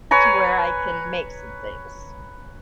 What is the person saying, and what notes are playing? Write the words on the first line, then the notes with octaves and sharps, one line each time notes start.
to where I can make some things.
B4 C#5 G#5 A#5